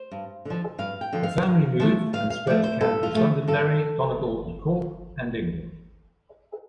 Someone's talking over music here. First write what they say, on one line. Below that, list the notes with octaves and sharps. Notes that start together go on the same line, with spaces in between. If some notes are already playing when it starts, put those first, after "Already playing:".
The family moved and spread to counties Londonderry, Donegal and Cork, and England.
Already playing: C5
G2
D3 F3
G2 F5
G5
D3 F3
F5
G2
F3 A3
G2 F5
F5
F3 A3 D5
C5
G2 A4
F4
F3 A3
G2 A4